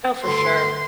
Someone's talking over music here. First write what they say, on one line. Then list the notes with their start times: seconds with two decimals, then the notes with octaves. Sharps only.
Oh, for sure,
0.24 D2 G2 D3 C6